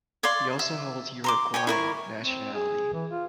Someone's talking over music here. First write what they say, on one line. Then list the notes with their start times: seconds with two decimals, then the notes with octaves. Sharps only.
He also holds Uruguayan nationality.
0.23 C#5 D5 F5 C6
0.59 E5
1.24 A#5 C6 D6
1.54 C#5 G5 G#5
1.67 E4 A#4 C#6
2.18 C4
2.54 G#4
2.93 E3
3.10 F4